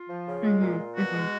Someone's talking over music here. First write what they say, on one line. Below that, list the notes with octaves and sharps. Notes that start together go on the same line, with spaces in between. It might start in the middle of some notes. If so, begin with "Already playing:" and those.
Mhm, mhm.
Already playing: F4
F3
C#3
G#3
A#2
A#2
B2 F#4
G#3